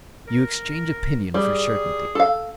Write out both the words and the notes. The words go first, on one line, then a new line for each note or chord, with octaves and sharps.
You exchange opinion for certainty.
A#4
G3 G#4
A4 F5